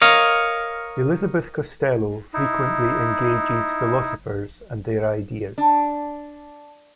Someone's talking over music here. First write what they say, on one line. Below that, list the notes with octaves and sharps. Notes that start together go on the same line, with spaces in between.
Elizabeth Costello frequently engages philosophers and their ideas.
A#4 C#5 D#5 F5
D#4 E4
D4